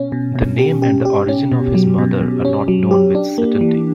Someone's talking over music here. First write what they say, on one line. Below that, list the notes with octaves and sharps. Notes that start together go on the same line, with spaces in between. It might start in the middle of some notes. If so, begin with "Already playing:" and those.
The name and the origin of his mother are not known with certainty.
Already playing: B2 C#4
B2
B2
G4
G4
G4
C#4
B2
F#3
B2
B2
C#4
F#3
G4
D4
A#3
E3